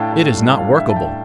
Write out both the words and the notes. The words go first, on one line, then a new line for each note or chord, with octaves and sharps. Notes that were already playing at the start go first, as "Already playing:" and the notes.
It is not workable.
Already playing: A2 D4 F5 G5 A5
A2
G3
F5
D4
E5
A2 A5
G5